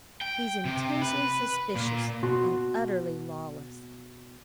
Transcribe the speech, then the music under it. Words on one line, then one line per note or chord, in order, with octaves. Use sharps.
He's intensely suspicious and utterly lawless.'
G5
C3
B4
A#2
B2 F#4 C6